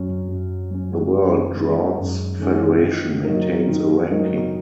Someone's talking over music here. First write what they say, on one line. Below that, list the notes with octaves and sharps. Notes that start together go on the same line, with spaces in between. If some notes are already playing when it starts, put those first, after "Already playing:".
The World Draughts Federation maintains a ranking.
Already playing: F#2 F#3 C#4
F#2
F#3 C#4
F#2
D#3 G#3 C#4
F#2
D#3 G#3 C#4
D#3
F#3 D#4 A#4
D#3
F#3 D#4 A#4